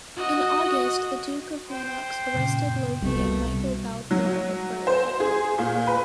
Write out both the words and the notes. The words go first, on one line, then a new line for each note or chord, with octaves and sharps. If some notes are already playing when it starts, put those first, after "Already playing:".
In August the Duke of Lennox arrested Logie and Michael Balfour of Burleigh.
F#4 D#5
C5 G5
F#2 A#2 C#3
C2 B2 G3 A3
F#3
C5
G#4
A#2
B4